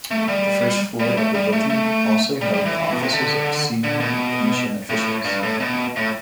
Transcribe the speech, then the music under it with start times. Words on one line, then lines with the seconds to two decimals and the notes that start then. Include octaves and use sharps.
The first floor of the building also held the offices of senior Commission officials.
0.11 A3
0.28 G3
1.00 G3
1.17 A3
1.34 G3
1.53 A3
1.70 A3
2.41 G3
2.54 G3
2.65 E3
2.92 B2
3.02 C3
3.12 D3
3.84 D3
4.00 B2
4.90 A2
5.25 G2
5.43 A2
5.60 B2
5.96 A2